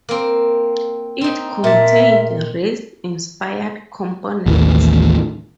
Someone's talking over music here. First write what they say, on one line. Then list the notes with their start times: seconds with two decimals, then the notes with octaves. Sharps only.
It contained race-inspired components.
0.09 A#3 C4
1.21 C4 D#4
1.64 A#2 E5 A5
4.46 A1 D#2 E3